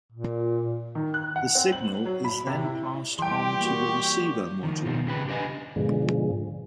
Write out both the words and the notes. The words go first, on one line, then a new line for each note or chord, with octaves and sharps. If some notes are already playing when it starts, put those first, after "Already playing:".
The signal is then passed on to the receiver module.
A#2
D#3
F#6
F#5
C4
F#7
F#3
B5
C3
E4
E3 G3 G4 G5 C6
A#3 F#4 C#6
D#3 F3
B2 D#3 F3 C4
C#3 G4 B4
D4 G4 B4 D#5 G#5
G#2 B2 D3 F3 G#3